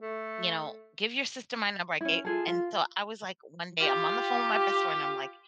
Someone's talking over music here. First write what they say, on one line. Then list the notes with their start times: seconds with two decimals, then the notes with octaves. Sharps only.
you know, “give your sister my number,” I ga and so, I was, like, one day I'm on the phone with my best friend. I'm, like
0.01 A3
2.01 C#4 E4
2.25 F4 G#4 A4
2.48 F4
3.80 F4 G4